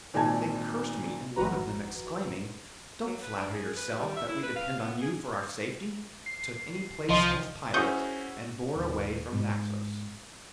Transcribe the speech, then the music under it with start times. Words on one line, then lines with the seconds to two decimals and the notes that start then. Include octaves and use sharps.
They cursed me, and one of them, exclaiming, 'Don't flatter yourself that we depend on you for our safety;' took any place as pilot, and bore away from Naxos.
0.14 G#1 A#2 D#3 G#5 A5 G#6
1.36 G#1 F2 F#4 B4 A#5
3.06 F#3
3.22 B4
3.38 D4
3.54 G#4
3.77 B4
3.97 G3
4.17 E5
4.29 E4
4.43 B4
4.56 F5
4.80 B3
5.01 G#4
6.26 C7
7.10 C2 F3 D#5 C6
7.74 C#4 E4 F#4 G#4 C5 C#6 D#6 G6
8.75 D#1
9.33 G#2